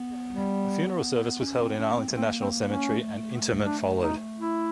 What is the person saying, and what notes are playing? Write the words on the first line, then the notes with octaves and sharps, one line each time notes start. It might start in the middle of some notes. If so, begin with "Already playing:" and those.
A funeral service was held in Arlington National Cemetery, and interment followed.
Already playing: B3
G3
C#4
C4
C#4
B3
C4
A3
A#3 C4
C4
C#4
A3
D4
D#4
E4